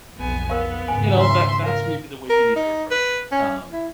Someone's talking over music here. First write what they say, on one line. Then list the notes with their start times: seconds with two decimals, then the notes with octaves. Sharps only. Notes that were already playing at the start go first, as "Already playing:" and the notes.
you know, that that's maybe the way you need to approach it. Um,
0.18 B1 F2 B3 G#5
0.50 B3 A#4 F5
0.88 D#2 G#2 C#3 G#5
1.17 D4 F4 B4 E5 C6
1.63 A#4 F5
2.30 A#4
2.56 D#4
2.91 B4
3.32 C#4
3.73 E4